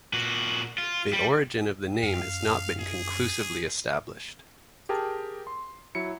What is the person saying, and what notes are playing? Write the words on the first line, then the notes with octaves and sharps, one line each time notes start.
The origin of the name has not been conclusively established.
A#2 F#4
F4
G3
F#2 F5
G#4
G4 G#4 A#4 G5 A5 A#5
C6
F#3 E4 C#7